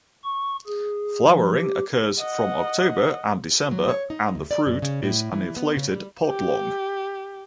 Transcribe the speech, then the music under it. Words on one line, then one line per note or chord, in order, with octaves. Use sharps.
Flowering occurs from October and December and the fruit is an inflated pod long.
C#6
G#4
F3
G4
D#5 F#5
F#3
C#5
D#4
D2
D5
F#2
C#3
A2
E3
B3
C#3
G3
G4